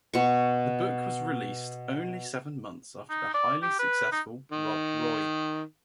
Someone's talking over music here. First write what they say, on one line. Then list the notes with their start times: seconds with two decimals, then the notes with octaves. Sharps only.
The book was released only seven months after the highly successful "Rob Roy".
0.14 B2 C#6
3.10 D#4
3.34 D5
3.62 G4
3.79 B4
4.12 D#4
4.52 D#3